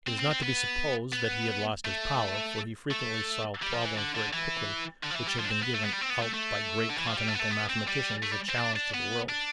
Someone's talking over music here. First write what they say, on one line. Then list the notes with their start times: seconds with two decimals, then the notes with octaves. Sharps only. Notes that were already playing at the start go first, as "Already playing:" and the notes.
It is not to be supposed that he had lost his power, for he frequently solved problems very quickly which had been given out by great Continental mathematicians as a challenge to the world.
0.07 C4
0.19 C4
0.31 C4
0.42 B3
1.13 B3
1.85 A3
2.91 A3
3.62 G3
3.74 F3
3.85 E3
3.98 D3
4.15 D3
4.33 E3
5.04 D3
5.11 F3
5.16 E3
5.27 G3
5.40 F3
5.45 D4
5.51 C4
5.63 B3
5.75 A3
5.84 B3
5.93 G3
6.01 C4
6.10 B3
6.22 A3
6.34 A3
6.90 D3
6.98 E3
7.07 F3
7.17 G3
7.28 A3
7.35 B3
7.40 A3
7.52 B3
7.69 C4
7.87 G3
8.23 A3
8.32 G3
8.49 C4
8.58 D4
8.76 D4
8.94 B3
9.29 D4